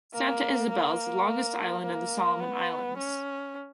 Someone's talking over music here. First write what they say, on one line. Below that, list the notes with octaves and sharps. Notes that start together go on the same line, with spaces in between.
Santa Isabel is the longest Island in the Solomon Islands.
A#3
A#3
A#3
B3
C#4